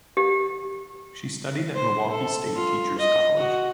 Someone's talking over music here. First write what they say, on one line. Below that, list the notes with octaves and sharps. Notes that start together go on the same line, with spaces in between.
She studied at Milwaukee State Teachers College.
G4
C5
A4
F4
D#5
F#4